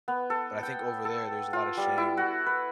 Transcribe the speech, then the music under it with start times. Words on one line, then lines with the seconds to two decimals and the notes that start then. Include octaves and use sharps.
but I think over there, there's a lotta shame
0.08 B3
0.30 A4
0.63 G5
1.05 A4
1.53 F4
1.77 G3
1.98 E4
2.17 F#4
2.46 B4